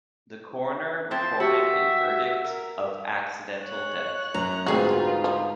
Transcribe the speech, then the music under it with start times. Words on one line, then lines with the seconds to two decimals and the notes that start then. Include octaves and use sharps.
The coroner recorded a verdict of accidental death.
1.11 F3 C4 E4 A5
1.40 F#4 G4 E5 F#5
2.44 A#4
3.63 C#5 F#6
4.34 F#2 A#5
4.66 D2 G#2 C4 D#4 F4 F#4 G#4 B4
5.24 F3